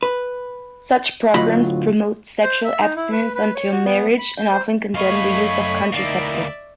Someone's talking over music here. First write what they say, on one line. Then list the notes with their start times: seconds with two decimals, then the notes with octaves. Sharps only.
Such programs promote sexual abstinence until marriage and often condemn the use of contraceptives.
0.03 B4
1.34 D2 A2 F#3 F4 D#5 B5
2.43 C5
2.64 E5
2.80 D#4
2.96 E4
3.12 B4
3.35 B4
3.55 C#5
3.72 F#4
3.85 B3
4.18 B5
4.38 G6
4.52 C5
4.94 F#2 A3 C#5 D#5 F5 B5 C#6
5.92 D2 A#3 D#4 E4 D5 E5